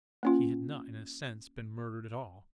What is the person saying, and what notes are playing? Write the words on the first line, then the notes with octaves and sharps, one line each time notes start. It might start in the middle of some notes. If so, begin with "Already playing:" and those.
He had not, in a sense, been murdered at all.
A#3 C#4 F4